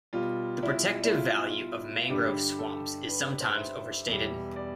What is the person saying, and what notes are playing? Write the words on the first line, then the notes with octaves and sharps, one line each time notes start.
The protective value of mangrove swamps is sometimes overstated.
B2 G3 F4
E4
E4
F4
G2 D3 G3 G4
A4
B4
B4
C5
E5
E2 B2 G3
D5